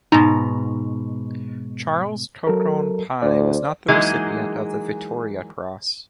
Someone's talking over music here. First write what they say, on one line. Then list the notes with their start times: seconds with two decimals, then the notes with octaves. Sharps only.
Charles Colquhoun Pye was not the recipient of the Victoria Cross.
0.12 G#2 B2 D#4 A#5
2.47 F#3 A4 A#4
3.22 D2 C5 D5
3.88 E3 F#3 G#3 A#3 D#4 G#4